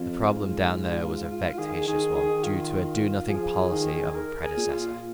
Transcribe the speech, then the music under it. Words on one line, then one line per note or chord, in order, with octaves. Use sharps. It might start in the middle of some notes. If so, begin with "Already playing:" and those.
The problem down there was a vexatious one, due to a do-nothing policy of a predecessor.
Already playing: F2 F4
G#2
D#3 G#4
D#3 G#4
D#3 G#4
F4
F3 G#4
D#3
A#4
G#4
A#2
F4